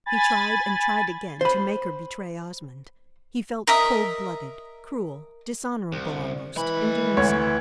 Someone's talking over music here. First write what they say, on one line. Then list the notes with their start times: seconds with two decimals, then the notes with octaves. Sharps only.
He tried and tried again to make her betray Osmond; he felt cold-blooded, cruel, dishonourable almost, in doing so.
0.06 G#5 B5 A6
1.41 C5 B5
3.67 A#4 D#5 E5 D#6
5.92 C2
6.56 E3 G#3 B5
7.17 D2 C#5